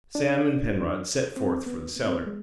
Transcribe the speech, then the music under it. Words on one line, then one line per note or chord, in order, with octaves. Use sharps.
Sam and Penrod set forth for the cellar.
D4
C4
B3
B3
C4
B3
G#3